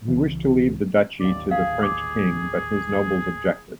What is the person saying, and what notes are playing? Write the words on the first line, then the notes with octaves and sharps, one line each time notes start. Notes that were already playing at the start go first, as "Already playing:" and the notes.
He wished to leave the Duchy to the French king, but his nobles objected.
C2 C#3 E3
D#1 A1 D#2 D5
G#4 F5
D6